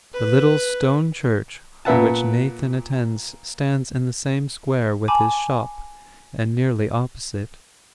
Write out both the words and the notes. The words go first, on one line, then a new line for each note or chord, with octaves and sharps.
The little stone church which Nathan attends stands in the same square with his shop, and nearly opposite.
B4
A#2 B3 B4 E5 F#5 A5
G#5 A5 B5 D6